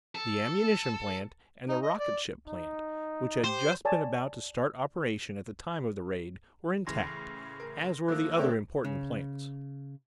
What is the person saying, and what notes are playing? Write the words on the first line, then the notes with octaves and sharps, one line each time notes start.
The ammunition plant, and the rocket-ship plant, which had just been about to start operation at the time of the raid, were intact, as were the other important plants.
A4
D#4
D#5
D5
D#4
G4 C5
C#5 D5 G#5 A5
A2 C#3 E3 C6 A#6
A#4
F3 A3 A#3 E6 F#6
D3 A3 C4 D4 G4 A#4 C#5 G5
C#3